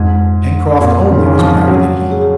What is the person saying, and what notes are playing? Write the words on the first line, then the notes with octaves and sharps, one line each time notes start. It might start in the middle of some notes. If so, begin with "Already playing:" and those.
Pencroft only was prouder than he!
Already playing: F2 G#2
F2
F2 A#2
C#3
D#3
F2 C#3
F3
F#3 C#4
G#4